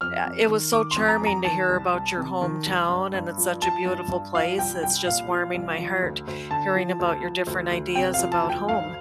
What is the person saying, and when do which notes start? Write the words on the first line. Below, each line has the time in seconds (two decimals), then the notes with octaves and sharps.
uh, it was so charming to hear about your hometown, and it's such a beautiful place, it's just warming my heart hearing about your different ideas about home.
0.01 F2 F6
0.25 F2
0.48 D#3
0.72 D#3 D6
0.91 C6
0.96 F2
1.08 A#5
1.22 F2 A#5
1.45 D#3 A5
1.69 C2
1.94 C2
2.17 C3
2.41 D#3
2.66 C2
2.89 G2
3.14 G2
3.38 F3
3.62 F3 A5
3.86 G2
4.10 G2
4.34 F3 F5
4.58 C2 G5
4.83 C2 G5
5.06 A#2 F5
5.30 F3
5.54 C2
5.78 F3
6.02 D2
6.28 D2
6.51 D3 A5
6.75 F3
7.00 D2
7.23 F3
7.47 D2
7.71 D2
7.95 C3 G5
8.14 F5
8.19 F3
8.32 A5
8.43 D2
8.50 G5
8.68 G2 F5